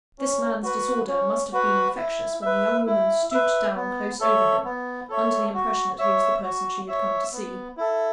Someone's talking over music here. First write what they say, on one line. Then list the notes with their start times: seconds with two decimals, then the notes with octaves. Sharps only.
This man's disorder must have been infectious when the young woman stooped down close over him, under the impression that he was the person she had come to see.
0.19 C#4
0.63 F#4 B4 F#5
1.08 C#4
1.52 F#4 B4 F#5
1.97 E4
2.42 B4 E5
2.87 E4
3.31 B4 E5
3.76 B3
4.20 A4 C#5 E5
4.65 B3
5.09 A4 C#5 E5
5.54 F#4
5.99 C#5 E5
6.43 F#4
6.88 C#5 E5
7.33 B3
7.77 E4 A4